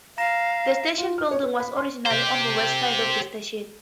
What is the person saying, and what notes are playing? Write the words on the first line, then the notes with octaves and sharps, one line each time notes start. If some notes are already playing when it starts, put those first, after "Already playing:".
The station building was originally on the west side of the station.
F5 A#5 A#6 E7
F4
F6
C#5
B4
B5
C6
G4 C5